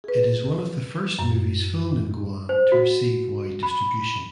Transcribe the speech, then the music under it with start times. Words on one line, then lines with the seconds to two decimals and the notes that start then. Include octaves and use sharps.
It is one of the first movies filmed in Guam to receive wide distribution.
0.04 G#4 B4
1.19 F#2
2.49 C5
2.72 F#4
3.63 B5